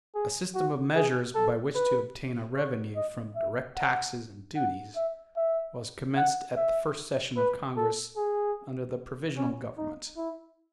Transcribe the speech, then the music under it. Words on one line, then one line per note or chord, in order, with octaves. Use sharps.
A system of measures by which to obtain a revenue from direct taxes and duties was commenced at the first session of Congress under the provisional Government.
G#4
F#4
G#4
A4
B4
C#5
D#5
E5
F#5
F#5
E5
E5
F#5
E5
B4
A4
G#4
C#4
D#4
E4